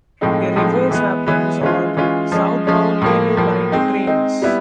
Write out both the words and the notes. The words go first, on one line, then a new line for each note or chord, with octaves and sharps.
The reverse happens on southbound Yellow Line trains.
A2 F3 G#3 C4 D#4
A2 F3 G#3 C4 D#4
E3 G#3 B3
E3 G#3 B3
E3 G#3 C#4 F4
E3 G#3 C#4 F4
F3 G#3 C#4
F3 G#3 C#4
A2 F3 A#3
A2 F3 A#3
G#3 C4 D#4
G#3 C4 D#4
G3 B3 E4